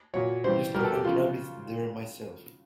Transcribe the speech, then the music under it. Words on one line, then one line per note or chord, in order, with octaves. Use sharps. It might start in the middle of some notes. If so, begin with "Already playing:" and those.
Used to hunt rabbits there myself.
A#2 F#3 C#5
C#3 E3 G3 C5
B2 G3 A#4
A4
G4
C#3 F3 F4